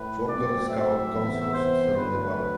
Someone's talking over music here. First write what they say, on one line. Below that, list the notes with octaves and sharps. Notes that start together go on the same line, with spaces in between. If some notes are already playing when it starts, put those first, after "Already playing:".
Four Girl Scout Councils serve Nevada.
Already playing: A2 B4
G2 F#3 A3 C4 D5
E5
C3 E3 B3
C5
G2 D3 F#3 A3 B4